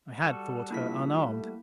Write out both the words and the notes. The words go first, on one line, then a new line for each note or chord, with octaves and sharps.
I had thought her unarmed.
G3 F#4 A4
A#1 A#3 E4 B6
A3